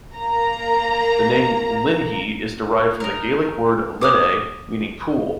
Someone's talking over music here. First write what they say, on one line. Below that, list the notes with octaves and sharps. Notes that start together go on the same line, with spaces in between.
The name "Linnhe" is derived from the Gaelic word "linne", meaning "pool".
A#3 A#5
D#4 A#4
D6 D#6 F6